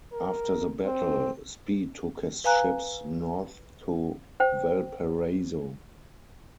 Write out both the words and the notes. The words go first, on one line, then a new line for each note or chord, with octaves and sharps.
After the battle, Spee took his ships north to Valparaiso.
A#4
C4
B4 F5 G#5 A#5 F#6
C5 G5